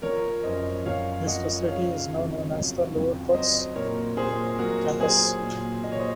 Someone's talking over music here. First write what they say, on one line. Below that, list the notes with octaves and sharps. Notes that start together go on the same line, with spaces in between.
This facility is now known as the Lower Bucks Campus.
F3 A#4 C#5
F#2 C5 D#5
F#2 C#5 F5
F3 D#5 F#5
C#3 C#5 F5
F2
F#3
F2
F#3 C5 D#5
A#2 A#4 C#5
A#2 G#4 C5
F#3 F#4 A#4
F#3 G#4 C5
A#2
A#2 D#5
C#5
C5 D#5